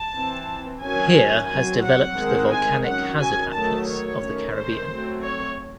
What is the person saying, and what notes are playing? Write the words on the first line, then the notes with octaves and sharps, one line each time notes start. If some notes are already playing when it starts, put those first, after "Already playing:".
Here has developed the volcanic hazard atlas of the Caribbean.
Already playing: A5
E3 C4
D#3 F#3 C#4 G#5
F#3 C4 G#5
F#5
D#3 G#3 C4
G#5
D#3 F#3 C#4 F#5
G#5
D#3 F#3 A3 A5
C#5
D#3 A3 C#4
C5
F#3 A3 C4
C#5